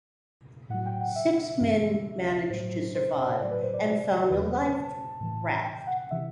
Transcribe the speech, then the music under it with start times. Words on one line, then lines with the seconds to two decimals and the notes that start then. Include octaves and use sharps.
Six men managed to survive and found a life raft.
0.70 A2 F#3 F#5
0.86 G5
1.00 F#5
1.16 E5
1.60 G2 E3
2.50 A2 F#3 C5
2.95 C5
3.40 A2 F#3 D5
3.51 B4
3.63 C5
3.74 D5
4.30 E2 D3 F#3 B4
4.53 C5
4.75 A5
5.20 A2 E3
5.65 G5
5.87 F#5
6.11 C3 E3 E5